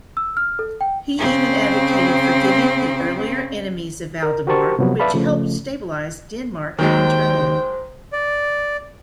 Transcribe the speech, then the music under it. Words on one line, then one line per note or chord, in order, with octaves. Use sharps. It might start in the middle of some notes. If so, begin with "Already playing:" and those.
He even advocated forgiving the earlier enemies of Valdemar, which helped stabilize Denmark internally.
E6
F6
A4
G5
C#3 C4
A#4
F#4 G4 A#4 C5 A5 C#6
C3 F3 F#3 B3
B4 D5 E5 F5 A5 B5
C#3 F3 A3
D#2 D#3 F#3 G#3 C5 G5
D5